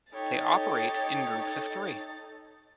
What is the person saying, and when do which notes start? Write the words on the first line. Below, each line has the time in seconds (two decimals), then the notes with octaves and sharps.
They operate in groups of three.
0.13 D#4 G4 A4 C#5 A6